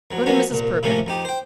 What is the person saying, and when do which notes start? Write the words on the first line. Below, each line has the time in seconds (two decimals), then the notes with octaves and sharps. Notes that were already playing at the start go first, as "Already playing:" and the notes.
Go to Mrs. Perkin.
0.11 F2 F#3
0.26 F3 F#3 A#3 B3 C#4
0.51 C2 A#2
0.83 A2 C3 F3 A3 A#3 C#4
1.06 F2 D#4 G4
1.25 C5 G5